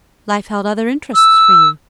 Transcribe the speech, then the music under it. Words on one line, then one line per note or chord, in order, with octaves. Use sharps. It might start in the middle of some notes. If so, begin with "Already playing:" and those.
Life held other interests for you.
E6